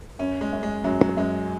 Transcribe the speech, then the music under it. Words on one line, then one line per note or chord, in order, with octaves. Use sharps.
I have made my way through three years of posts.
F#2 C#4
G#3
F#2
G#3
F#2 F#3
F#3
F#2 G#3